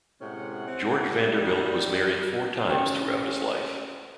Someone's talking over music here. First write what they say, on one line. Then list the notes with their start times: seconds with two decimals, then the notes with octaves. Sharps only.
George Vanderbilt was married four times throughout his life.
0.21 A2 C3 G#3 C#4 G#4 F#5
0.68 C4 F#5
1.25 G3 D#4
2.70 C#4 G4 G5